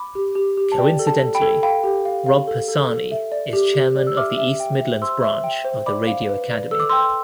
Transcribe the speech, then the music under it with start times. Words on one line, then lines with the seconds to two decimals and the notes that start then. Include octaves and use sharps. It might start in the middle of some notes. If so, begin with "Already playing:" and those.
Coincidentally, Rob Persani is Chairman of the East Midlands branch of the Radio Academy.
Already playing: B5 D6
0.15 G4
0.35 G4
0.57 G4
0.72 A5
0.78 D5 G5
0.99 A4
1.07 A5
1.21 A4
1.35 G5 B5
1.42 A4
1.63 F5 G5 B5
1.84 G4
2.05 F5
2.26 F5
2.48 A4
2.68 A4
2.90 A4
3.11 E5
3.32 D5
3.53 G4
3.74 G4
3.96 D5
4.07 E6
4.17 E5 D6 F6
4.38 E5
4.60 G5
4.81 E5
5.02 C5 C6 E6
5.23 E5
5.44 G5
5.65 C5
5.86 D5 B5 D6
6.07 F5
6.29 B4
6.50 D5
6.71 A4 E6
6.80 D6
6.90 G5 C6 E6